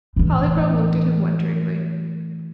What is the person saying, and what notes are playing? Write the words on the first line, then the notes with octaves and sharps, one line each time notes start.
Polychrome looked at him wonderingly.
A2 E3